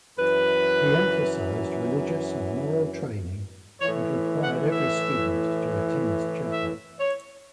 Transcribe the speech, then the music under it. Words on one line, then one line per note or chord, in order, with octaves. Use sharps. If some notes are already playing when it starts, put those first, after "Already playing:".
He emphasized religious and moral training and required every student to attend chapel.
F#2 E3 B4
A2 E3 C#5
F#5
E5
E5
C#5